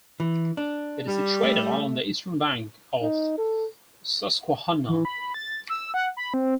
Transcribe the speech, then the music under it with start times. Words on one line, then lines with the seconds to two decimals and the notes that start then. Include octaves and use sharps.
It is situated along the eastern bank of the Susquehanna.
0.20 E3
0.57 D4
1.07 G3
1.43 A3
3.03 D#4
3.38 A4
4.89 E3
5.05 B5
5.34 A6
5.69 E6
5.94 F#5
6.17 B5
6.34 C4